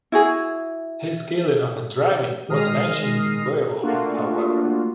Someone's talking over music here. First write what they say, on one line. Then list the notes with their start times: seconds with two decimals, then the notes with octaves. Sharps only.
His killing of a dragon was mentioned in "Beowulf", however.
0.12 E4 F#4 G#4
2.48 D#3 G#3 D#6 F6 A#6 C7
3.82 A3 A#3 D4 F4 F#4